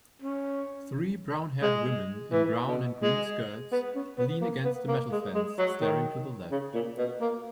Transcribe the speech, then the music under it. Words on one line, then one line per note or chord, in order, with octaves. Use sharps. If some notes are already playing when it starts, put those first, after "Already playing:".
Three brownhaired women in brown and green skirts lean against a metal fence staring to the left.
C#4
G#3
E3
B2
G#3
B3
C#4
B3
A#3
B3
A#3
G#3
G#3
F#3
D#3
C#3
A#2
B2
A#3